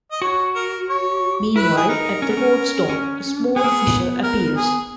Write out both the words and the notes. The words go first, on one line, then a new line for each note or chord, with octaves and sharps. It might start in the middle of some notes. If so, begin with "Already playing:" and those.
Meanwhile at the wardstone a small fissure appears.
D#5
F#4 C#5
A#4
C#5
E4 B4
G#4
D#4 A#4
C#4
B3
C#4
C#4
B3 G#4
A#3
B3
A#4
G#4